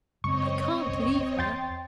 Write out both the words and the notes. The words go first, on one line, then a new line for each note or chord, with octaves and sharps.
'I can't leave her.
F#2 C#3 G#3 C4 C#5 D#5 C#6
F#1 C2 C#4
E2 G5 C6 A6